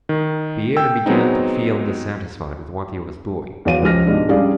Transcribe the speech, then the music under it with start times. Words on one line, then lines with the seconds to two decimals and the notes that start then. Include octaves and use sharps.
Pierre began to feel dissatisfied with what he was doing.
0.09 D#3
0.77 G5 E6
1.06 F#3 G#3 B3 C4 D#4
3.65 E2 F#3 C#5 F5 D#7
3.82 C#2 F3 G4 F6 A#6
4.06 G#2 B2 G#3 D4
4.29 G3 C#4 D4 G#4 D5 F5